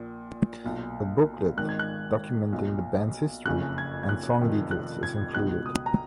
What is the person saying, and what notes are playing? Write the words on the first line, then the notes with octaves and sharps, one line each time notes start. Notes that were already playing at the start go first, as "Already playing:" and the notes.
A booklet documenting the band's history and song details is included.
Already playing: A#1 A#2
B1 A#2
G#1 G#2 D#3 F#6
G#6
F#6
B1 A#2
F#1 F2 C#3 F#6
G#6
G#6
F#6
F1 F2 D#3
F#6
G#6
C#2 B2 F#6
D#6
A#5